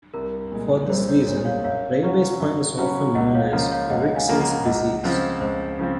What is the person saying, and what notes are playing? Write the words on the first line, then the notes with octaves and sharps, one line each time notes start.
For this reason, railway spine is often known as "Erichsen's disease".
C2 A#4
A#2 G#3
C2 C5
C#5
A#2 G#3 C#5
C#5 F5
F#2 C#5 F5
C#3 F#3 C#4 F#4
F#2
C#3 F#3 C#4 F#4
C#2 D#5 F#5
C#5 F5
C#3 F3 A#3 F4 C#5 F5
C#5 F5
C#2 D#5 F#5
F5 G#5
C#3 F3 A#3 F4
F#5 A#5
C#2 D#5 F#5
C#3 F3 C4 C5
C#2 C5
C#3 F3 C4